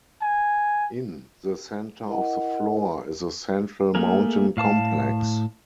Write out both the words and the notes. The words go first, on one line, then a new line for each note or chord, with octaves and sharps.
In the center of the floor is a central mountain complex.
G#5
E4 A#4 D#5 F#5
A3 A#3 G#4 A#4
A2 F5 A5